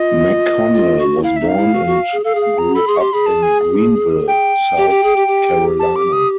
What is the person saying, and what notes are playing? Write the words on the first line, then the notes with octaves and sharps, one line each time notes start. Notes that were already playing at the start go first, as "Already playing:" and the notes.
McConnell was born and grew up in Greenville, South Carolina.
Already playing: F4 D#5
F4
F#4
E4 F5
D#4 E5
F5
E4
F#4
F#4
G#4
A4 F5
G#4
F5
A#5
A4 B5
G#4 C6
C#6
G4 C6
G#4 B5
A5
G#5
G5
G4
G4
G#4
G4
G4
A5
D6
D#6